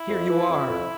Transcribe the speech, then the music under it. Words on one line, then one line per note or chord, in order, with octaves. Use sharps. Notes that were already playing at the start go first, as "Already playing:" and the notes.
"Here you are!"
Already playing: E4
F2
E3
F2
F2